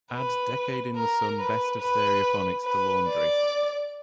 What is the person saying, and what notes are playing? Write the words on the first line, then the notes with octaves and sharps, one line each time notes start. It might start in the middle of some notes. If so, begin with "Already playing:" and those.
Add decade in the sun best of stereophonics to laundry.
B4
A#4
B4
B4
B4
D5